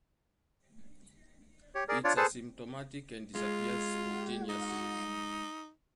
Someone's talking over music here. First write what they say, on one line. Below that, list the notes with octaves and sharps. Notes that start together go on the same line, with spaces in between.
It’s asymptomatic and disappears spontaneously.
G4 C#5
G#4 A#4 D5
D4 F4 C#5 D5
G#4 A4 B4 C5 A5
G#3 F4
D#4